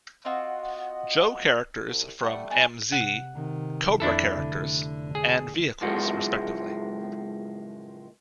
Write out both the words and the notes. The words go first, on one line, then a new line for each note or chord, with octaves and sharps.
Joe characters from M-Z, Cobra characters, and vehicles respectively.
C4 F4 F#4 D#5 F#5
C2
G3 A3 F#5
B3 D4 D#4 G#5
C3 F#5
C3 D#3
F2 D4 E4 A4
F1 D3
G#4
C#2 F#2 A2 F3 G#3 F#4